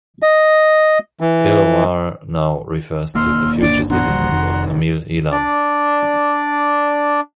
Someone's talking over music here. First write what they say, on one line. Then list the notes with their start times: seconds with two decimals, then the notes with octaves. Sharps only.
Eelavar now refers to the future citizens of Tamil Eelam.
0.22 D#5
1.20 E3
3.15 E1 D#2 A#3 C6 E6 F6
3.61 G1 D4 D5
3.90 A#1 F#2 B3 D4 F#4 A#5 C6
4.06 D#1 D3 G3
4.32 F1 F2 D#3
5.32 D4 D5